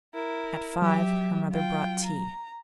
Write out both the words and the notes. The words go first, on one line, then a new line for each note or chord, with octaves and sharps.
At five her mother brought tea.
E4 A#4
F#3 G4 E5
F4 G5
A#5